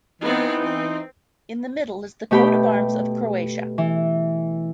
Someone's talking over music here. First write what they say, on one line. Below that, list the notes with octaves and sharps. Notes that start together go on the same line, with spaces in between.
In the middle is the coat of arms of Croatia.
E3 B3 C4 D#4
C4
B2 A3 G4 G5 B5
E3